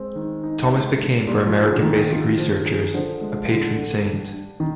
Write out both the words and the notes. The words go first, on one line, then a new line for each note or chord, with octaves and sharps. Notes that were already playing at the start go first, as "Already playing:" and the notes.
Thomas became for American basic researchers a patron saint.
Already playing: G#3 C4
D#3
D#4
G#3
D4
A#2 G3
F3
G#4
D3
D#3 A#3
F4
F3
G#4
D3 F3
G#3
D3
D4
G3
D4
D#3